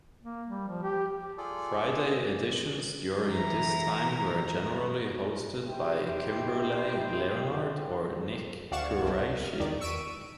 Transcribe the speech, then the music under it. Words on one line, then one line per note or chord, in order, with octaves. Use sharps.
Friday editions during this time were generally hosted by Kimberley Leonard or Nick Quraishi.
A#3
G3
F3
G4
F4 G#4 A4 D5
E3 A#5
D#4 E4 G4 C5 G5
D2 D5 F5 F#5 C#6 E7
C2 B2
F6
E2 D#3 D5
C#6 E6 B6 D7 D#7